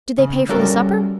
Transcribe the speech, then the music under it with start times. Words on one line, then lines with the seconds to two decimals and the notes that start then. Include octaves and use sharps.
"Did they pay for the supper?"
0.18 C#3
0.49 G3 C#4 F#4 A4 A#4